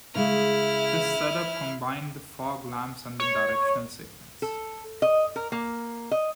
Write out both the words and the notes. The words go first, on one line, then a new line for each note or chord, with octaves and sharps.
This setup combined the fog lamps and the directional signals.
C#3 G#3 E4 F6
C#5
A4
D#5
A#4
A#3
D#5